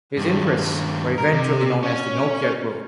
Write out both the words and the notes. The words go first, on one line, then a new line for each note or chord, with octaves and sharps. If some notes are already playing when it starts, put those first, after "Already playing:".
His interests were eventually known as the Nokia group.
G2 D#3
A#4
C3
C#4